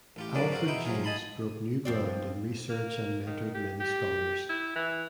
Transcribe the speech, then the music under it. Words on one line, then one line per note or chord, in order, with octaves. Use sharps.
Alfred James broke new ground in research and mentored many Scholars.
A1 F4 G4
G#2 F#3 A#3 C#4 D4 D5
C4 F4 F#4 F5
E2 B2 D#4 E4 G5 C6
F3 F#3 F4 G#4
D#5 G#5 A5 B5 C6
F2 C4 D5
A#3
D#3
G4
G4
E4
E3